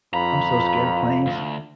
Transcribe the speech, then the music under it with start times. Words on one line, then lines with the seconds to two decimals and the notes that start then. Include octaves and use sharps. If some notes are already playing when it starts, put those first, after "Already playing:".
I'm so scared of planes.
0.14 F2 F4 A#5 B5
1.27 D2